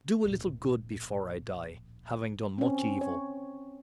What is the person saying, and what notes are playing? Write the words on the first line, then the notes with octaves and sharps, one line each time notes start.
'To do a little good before I die, having done much evil.
D1 A#1
C4 C#4
C#5